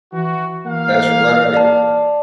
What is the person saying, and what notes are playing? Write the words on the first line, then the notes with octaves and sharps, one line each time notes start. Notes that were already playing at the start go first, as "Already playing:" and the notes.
that's right.
E3 F#4
E3 A#3 F5
D5 A5